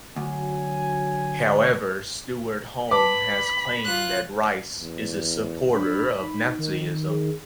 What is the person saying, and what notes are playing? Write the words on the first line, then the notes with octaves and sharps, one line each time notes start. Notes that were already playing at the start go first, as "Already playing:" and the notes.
However Stewart Home has claimed that Rice is a supporter of Nazism.
D2 F#3 G#5
B4 A5 B5 D6
F4 F#6
E2
D4 B5
D#4
D#3
G#4